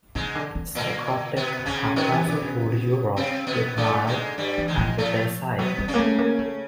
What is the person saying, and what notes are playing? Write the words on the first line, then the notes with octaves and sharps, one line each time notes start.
Psycroptic have also toured Europe with Nile and with Deicide.
G#2 C#3 G#3
D3
D3
A#2 A#3
B2 B3
C#3 C#4
B2 D#3 B3
E3
D3
C#3
C3 C4
B2 B3
A2 D3 A3
G#2 G#3
G2 G3
E3
G#2 G#3
F3
A2 A3
B2 F#3 B3
G3
C#3 C#4
A#3
A3
A#3
A3